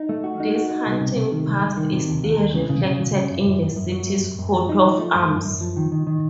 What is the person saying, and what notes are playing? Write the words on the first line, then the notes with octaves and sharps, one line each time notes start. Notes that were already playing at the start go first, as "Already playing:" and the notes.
This hunting past is still reflected in the city's coat of arms.
Already playing: D#4
A3
F#4
D#4
F#4
D#4
C2
C3
C3
D#3
C2
C2
D#3
C3
D#2
D#2
D#2
C#3
C#3
C#3
F#3
C#3
F#2
F#2
F#2
F#2
F#3
F#2
F#2
F#2
F3
D#4
F3
A3
F#2
F#2
F#2
F3
D#3
D#3
D#3